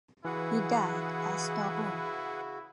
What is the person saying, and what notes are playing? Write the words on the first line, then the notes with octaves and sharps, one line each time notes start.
He died at Stockholm.
C#3 E3 E4 F#4 G#4 B4 F#5